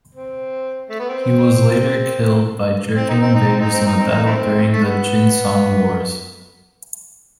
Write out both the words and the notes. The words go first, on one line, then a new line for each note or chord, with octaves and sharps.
He was later killed by Jurchen invaders in a battle during the Jin-Song Wars.
C4
A3
B3
C4
C4
D#4
C4
D#4
C4
D#4
C4
D#4
C4
D#4
A3 C4
A3
B3